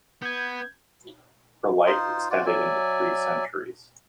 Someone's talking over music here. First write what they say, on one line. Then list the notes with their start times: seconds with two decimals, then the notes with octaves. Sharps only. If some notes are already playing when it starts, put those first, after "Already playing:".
Her life extended into three centuries.
0.22 B3 G6 G#6
1.86 D#4 F4 C5
2.30 F4 F#4 D5
2.46 F#3 D5 E5 G#5